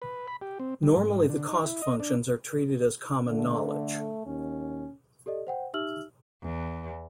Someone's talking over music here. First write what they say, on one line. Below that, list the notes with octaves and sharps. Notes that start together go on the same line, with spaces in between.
Normally the cost functions are treated as common knowledge.
B4
B5
G4
C4
G3
G#2
D3
D#4
E4
D#5
D4
D3 A3
D#2 C#4
G4 A4 D5 D#5
C5 F#5 G5
D#4 G4 E5 E6 F6 F#7
E2